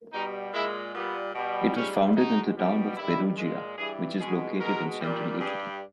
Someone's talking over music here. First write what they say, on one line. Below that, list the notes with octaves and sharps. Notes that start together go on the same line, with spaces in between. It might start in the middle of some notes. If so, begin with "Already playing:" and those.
It was founded in the town of Perugia, which is located in central Italy.
B2 G3 D#4
A#2 G#3 E4
A#2 G3 B3
B2 G3
G#2 G3 C#4
B2 G#3 D#4
B2 G3
G2 D#3 G3 E4
A#2 G#3
G2 E3 G3 G#4
B2 G#3 G#4
B2 G#3 A#4
A#2 G3
G2 G3 G#4